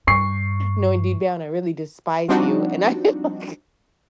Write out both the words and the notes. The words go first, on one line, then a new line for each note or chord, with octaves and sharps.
knowing deep down, I really despise you, and I like,
G2 C#6 C7
F3 G3 C4 D4 D#4 F#4